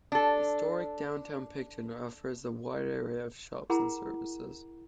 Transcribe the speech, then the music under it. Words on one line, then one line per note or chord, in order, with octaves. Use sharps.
Historic downtown Picton offers a wide array of shops and services.
D4 A4
E4 G#4 A#4 F#5 A#5 B5